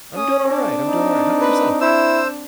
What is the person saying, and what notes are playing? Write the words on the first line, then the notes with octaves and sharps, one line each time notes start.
I'm doing alright, I'm doing alright, how 'bout yourself?
C#4 D#6
C4 D4
D#4
B4
E4 C5 E6